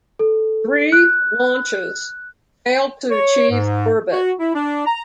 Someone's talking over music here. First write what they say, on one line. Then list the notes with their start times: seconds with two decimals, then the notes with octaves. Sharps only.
Three launches failed to achieve orbit.
0.19 A4
0.92 F#6
3.11 C#5
3.50 G#2
4.12 F#4
4.39 E4
4.54 D4
4.86 A#5